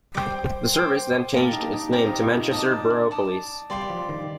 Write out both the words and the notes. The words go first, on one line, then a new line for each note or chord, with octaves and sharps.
The service then changed its name to Manchester Borough Police.
G3 C5 G5 D6
C5 G5 D6
A#3 G4 A#4 F5 A5
D#4
D#4
C4 G4 A#4 F5 A5
D#4
F4
D#4
D#4 D5 A5 D#6
D#4
D4
D5 A5 D#6
G3 G4 D5 F5 C6
F3
D#3